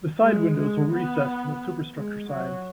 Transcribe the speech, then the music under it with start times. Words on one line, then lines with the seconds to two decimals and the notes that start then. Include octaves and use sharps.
The side windows were recessed from the superstructure sides.
0.22 G#3
0.56 G#3
0.92 B3
1.96 G#3
2.29 F#3